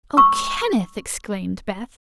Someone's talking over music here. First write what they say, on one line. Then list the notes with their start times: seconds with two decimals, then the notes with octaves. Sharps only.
"Oh, Kenneth!" exclaimed Beth.
0.17 C#6 E6